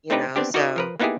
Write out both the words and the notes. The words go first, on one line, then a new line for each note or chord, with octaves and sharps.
You know? So
A3 C4 D4 D#4 G4 B4
B3 C4 D4 G4
D#4 F#4 A#4 D5 D#5
F3 A#4 B4
A#3 B3 D#4 E4 G4 G#4